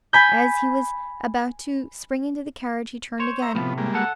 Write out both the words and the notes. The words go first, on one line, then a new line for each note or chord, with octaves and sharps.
As he was about to spring into the carriage, he turned again.
G#5 B5 G6
C5 C#5
E5 A#5
C2 A2 C3 F3 B3
G3 G#3 A#3
A4 F#5